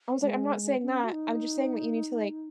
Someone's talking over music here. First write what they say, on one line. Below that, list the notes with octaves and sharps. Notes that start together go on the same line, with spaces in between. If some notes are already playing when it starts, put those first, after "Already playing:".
I was like, "I'm not saying that, I'm just saying that you need to like
G#3
C#4
F#4
D#4